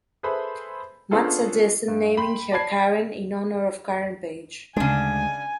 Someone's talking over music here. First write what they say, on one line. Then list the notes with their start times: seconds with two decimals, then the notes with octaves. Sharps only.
Matt suggested naming her Karen in honor of Karen Page.
0.23 G#4 A4 B4 C5 E5 B5
1.11 B3 C#4 D4 F4 G#4 A4
1.88 G2
2.17 G5 B5 C6
2.52 D5 A5 B5 G#6 C7
4.76 D2 C#3 G#3 D4 G#5